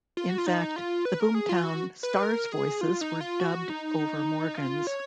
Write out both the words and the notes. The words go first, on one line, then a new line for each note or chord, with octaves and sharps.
In fact, the "Boom Town" stars' voices were dubbed over Morgan's.
F4
F#4
F4
D#4
F4
B4
A#4
G#4
F4
F#4
B4
A#4
G#4
F4
D#4
F4
F#4
D#4
F4
C#5